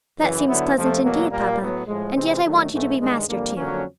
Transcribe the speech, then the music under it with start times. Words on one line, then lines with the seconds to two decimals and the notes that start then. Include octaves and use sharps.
That seems pleasant indeed, papa; and yet I want you to be master too.
0.19 F#2 C#3 E3
0.47 D3 F#3 B3 E4
0.74 F2 C3 F3 A3
1.02 E2 B2 F#3 A#3
1.30 A#2 G3 A#3
1.58 A2 F#3 B3
1.87 A2 F3 G#3
2.15 C3 E3 G#3 C4
2.43 D#3 F#3 A3
2.71 G#2 E3 A3
2.99 G2 D#3 G#3
3.28 F2 D3 G3 A#3
3.55 F2 D3 F#3 A#3 C#4